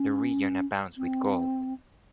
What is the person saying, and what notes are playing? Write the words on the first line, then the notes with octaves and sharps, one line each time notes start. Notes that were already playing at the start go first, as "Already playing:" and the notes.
The region abounds with gold.
Already playing: C#4
C4